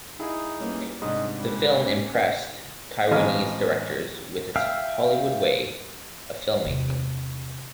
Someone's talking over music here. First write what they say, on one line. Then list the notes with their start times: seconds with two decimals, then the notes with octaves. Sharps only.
The film impressed Taiwanese directors with its "Hollywood way" of filmmaking.
0.20 D#4 E4 G#4 F5
0.60 G3 A#3 B3 C#4
1.02 G#2 C3 C#4 D4 D#5
1.35 G3 G#3
1.77 C3 A#3 C#4 G4
3.11 A1 G#3 C4 D#5 F5 F6
4.56 E5 F5 G5 E6 F6
6.64 E2 C3